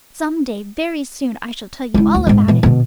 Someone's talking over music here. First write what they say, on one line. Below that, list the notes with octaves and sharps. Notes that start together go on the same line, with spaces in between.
Some day, very soon, I shall tell you all about it.
C#2 E4
D2
G#1 G#2
B2 E3
B2 D3